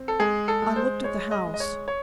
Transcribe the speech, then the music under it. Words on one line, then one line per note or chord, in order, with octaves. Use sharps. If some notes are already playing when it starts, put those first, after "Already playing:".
I LOOKED at the house.
Already playing: C4
A4
G#3 G#4
A4
G#3
C5
G#3 C#5
D#5
G#3
D#5
C#5
C#5